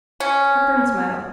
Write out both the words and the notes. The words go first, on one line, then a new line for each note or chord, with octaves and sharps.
Hepburn smiled.
C#4